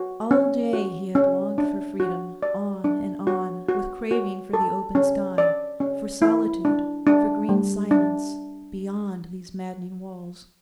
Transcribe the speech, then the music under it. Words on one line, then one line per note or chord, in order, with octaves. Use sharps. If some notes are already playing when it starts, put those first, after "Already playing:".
All day he had longed for freedom, on and on, with craving for the open sky, for solitude, for green silence, beyond these maddening walls.
Already playing: F#4
C#4
F#4
C#4
D4
F#4
D5
D4
F#4
F#4
F#4
A4
C#4
D5
C#4
E4
D4
D4
G3
D4